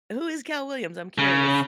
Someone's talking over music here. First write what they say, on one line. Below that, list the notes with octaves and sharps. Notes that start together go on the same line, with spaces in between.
who is Cal Williams, I'm curious?
C#3